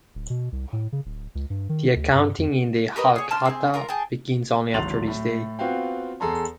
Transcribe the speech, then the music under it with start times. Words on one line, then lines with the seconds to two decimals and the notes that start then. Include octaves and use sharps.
The accounting in the "Halkhata" begins only after this day.
0.15 D1
0.30 B2
0.52 C2
0.73 A2
0.92 C#3
1.05 D1
1.35 C#2
1.50 G2
1.69 D#3
1.96 D2
2.15 G2
2.38 F2
2.96 G4 A#4 B4 D#5
3.16 G#4 C#5
3.31 A5 C6 F6
3.45 C4 E4 G#4
3.74 F4 A#4 A#5
3.89 G#4 G5 A5
4.74 D1 G#1 C6 A6 F7 F#7
5.07 A2
5.59 B3 C4 F4 F#4 F5 G5
6.20 E2 G#4 A4 G#5 A#5 C6